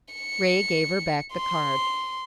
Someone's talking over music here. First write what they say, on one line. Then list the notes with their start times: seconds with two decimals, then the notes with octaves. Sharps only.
Ray gave her back the card.
0.14 C#7
1.34 C6